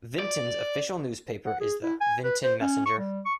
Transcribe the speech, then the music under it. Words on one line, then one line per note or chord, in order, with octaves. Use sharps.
Vinton's official newspaper is the "Vinton Messenger".
D5
F#5
G#4
E4
G#5
B4
C5
C#4
C#6
G3
C#6